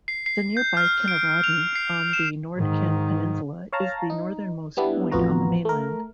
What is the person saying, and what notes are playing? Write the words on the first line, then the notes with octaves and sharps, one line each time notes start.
The nearby Kinnarodden on the Nordkinn Peninsula is the northernmost point on the mainland.
C7
C7
G6
F6
D7
F7
C7
E7
G#2 D#3
C#5 F5 A5 A#5
D#4
G3 B3 D4 E4 G4
A1 F2 B3 F4 F#4 A#5
A3 A#4